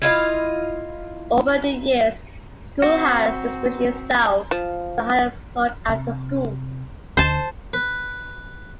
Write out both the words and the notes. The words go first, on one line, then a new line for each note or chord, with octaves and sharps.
Over the years, the school has distinguished itself as a highly sought after school.
E4 F4 D#5 F5
C4 F#4
F3
C3
D2 D3 C5 A5
B4